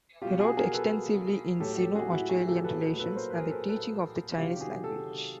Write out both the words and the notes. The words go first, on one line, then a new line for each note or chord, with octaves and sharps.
He wrote extensively on Sino-Australian relations and the teaching of the Chinese language.
B2 F#3 F4 G4
F#4 G#4
G#4 A#4
A4 B4
A2 F#3 G4 A4
G4 A4
F#4 G#4
E4 F#4
F#4 G#4
G4 A4
A4 B4
A#2 F#3 A4 B4
A#4 C5
B4
G#4 A#4
A4 B4
A4 B4
C3 D#3 F#3 F4 G4
G4
F#4 G#4
G4 A4